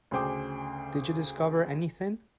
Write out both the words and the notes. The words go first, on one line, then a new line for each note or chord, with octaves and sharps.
Did you discover anything?
D2 C#3 G#4 C5 G5 D6